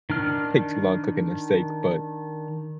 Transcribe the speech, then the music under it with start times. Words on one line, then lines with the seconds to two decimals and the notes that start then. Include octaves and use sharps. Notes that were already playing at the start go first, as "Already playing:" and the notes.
take too long cooking a steak, but
0.10 D#3 D4 F6